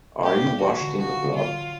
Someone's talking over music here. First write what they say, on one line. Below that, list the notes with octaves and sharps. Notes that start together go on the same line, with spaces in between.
Are You Washed in the Blood?
A#1 G4
A2
E1 F#4
D3
F3 F#4
C#4
F#3 F4
F#3